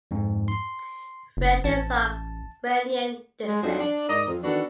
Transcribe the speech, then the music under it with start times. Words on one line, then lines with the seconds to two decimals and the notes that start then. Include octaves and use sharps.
Rad is of Iranian descent.
0.11 F2 G#2
0.48 C6
1.37 F#1
1.64 A1 A5
3.47 G#3
3.62 F2 F3 F#3 D4 D#4 C5
3.79 D4
4.09 G#2 A#4 D5 D#5
4.28 F2
4.43 D#3 E3 B3 D4 F#4 A4